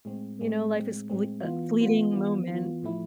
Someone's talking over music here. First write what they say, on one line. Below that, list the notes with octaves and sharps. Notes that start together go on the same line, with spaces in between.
you know, life is fl uh, fleeting moment.
A2 G#3 C4
A2 G#3 C4
A2 G#3 C4
A2 G#3 C4
E3 B3 F4
E3 B3 F4
E3 B3 F4
E3 B3 F4
A2 F3 A3 E4